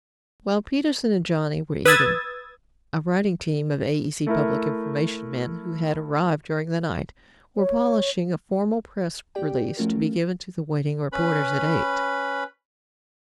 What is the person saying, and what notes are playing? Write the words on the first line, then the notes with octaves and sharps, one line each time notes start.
While Peterson and Johnny were eating, a writing team of AEC public information men who had arrived during the night, were polishing a formal press release to be given to the waiting reporters at eight.
B4 D#6 E6 G#6 A6
A3 E4 A#4
C#5
G4 D5 G5
F3 A3 C#4 F4 F#4 A#4
C#4 B4 B5